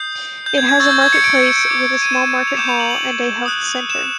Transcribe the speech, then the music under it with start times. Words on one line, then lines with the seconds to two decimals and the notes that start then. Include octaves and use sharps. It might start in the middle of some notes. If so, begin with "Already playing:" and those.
It has a market place with a small market hall and a health centre.
Already playing: D#6 G6 C7
0.46 G6
0.58 G#6
0.69 G#6
0.80 C#6 E6 G6 A6
0.91 G6
1.02 G#6
1.13 C#7
1.24 D7
1.35 C#7
1.46 C#7
1.57 D7
1.69 D6 G6
2.02 D#7
2.13 E7
2.47 F7
2.57 D6 G6 E7
2.69 F7
2.80 F#7
2.90 F#7
3.46 D#6 F#6
3.90 E7